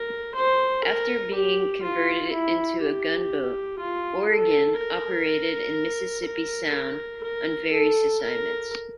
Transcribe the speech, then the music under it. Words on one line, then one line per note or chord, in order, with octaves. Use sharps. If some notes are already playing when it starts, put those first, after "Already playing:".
After being converted into a gunboat, "Oregon" operated in Mississippi Sound on various assignments.
Already playing: A#4
C5
A#4
G4
F4
E4
G4
F4
A4
A#4
A#4
A#4
A#4
A4
A#4